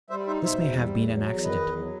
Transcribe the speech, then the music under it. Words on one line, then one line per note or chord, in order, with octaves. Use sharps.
This may have been an accident.
G3 C5 E5
D#4 C5 E5
B2 C5 E5
E2
G3
E2
F#3
E2
D#3 B4 D#5
E2
F#3